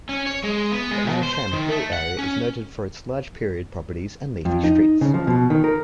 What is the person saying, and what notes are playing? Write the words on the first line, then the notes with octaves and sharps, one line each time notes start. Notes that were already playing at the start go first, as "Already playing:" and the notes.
The Amersham Hill area is noted for its large period properties and leafy streets.
C#4
C#5
G#3
B3
G#3
B2
C5
C5
D#3
A3
F#5
C#4
F2
D#4
C#3
F3
B2
D#3
A#4